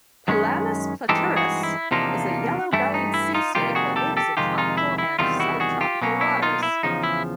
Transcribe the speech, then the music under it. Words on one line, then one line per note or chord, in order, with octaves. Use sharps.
"Pelamis platurus" is a yellow-bellied sea snake that lives in tropical and subtropical waters.
F#2 D#3 G#3 C#4
G2 E3 G#3 C4 D#4 G4 A4
F#4 G#4
E4
E2 C3 F3 A#3 D4 D#4 F4
G2 E3 A3 E4
D#4
E4
D#4 F4
F2 C3 D#3 G3 A#3 F4 G4
F#4 G#4
G4 A4
G4 A4
F2 C3 D#3 G#3 F4 G4
D#4 F4
E4
E4
E2 C3 D#3 G3 C4 D#4 F4
E4 F#4
F#4 G#4
F4 G4
B2 F#3 A#3 C#4
E4
D#4 F4
E4
E2 C#3 F3 D#4
E4